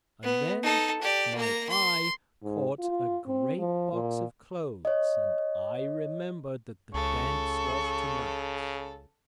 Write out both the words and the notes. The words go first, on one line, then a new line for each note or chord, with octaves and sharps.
And then my eye caught a great box of clothes, and I remembered that the dance was to-night.
B3
D#4 A4
G4 D5
A#3 A#5
C6
G#2
F4
C4
F3
A#2
C#5 D#5
C#2 C#3 A4 C#6